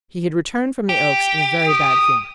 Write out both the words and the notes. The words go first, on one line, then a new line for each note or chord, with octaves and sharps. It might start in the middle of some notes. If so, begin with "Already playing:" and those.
He had returned from the Oaks in a very bad humour.
G4
D#6